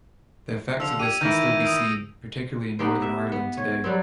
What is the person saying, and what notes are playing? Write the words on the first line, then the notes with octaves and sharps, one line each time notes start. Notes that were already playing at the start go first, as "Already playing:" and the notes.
The effects of this can still be seen, particularly in Northern Ireland, today.
D3 F3 E6 F7
G4 G#6 D#7
D#3 E3 E4 G6 A#6 D7
D#7
D#6 E6 D7
B3 D#4 G4 C5
E5
B3
C#5
F#3 G3 B3 C4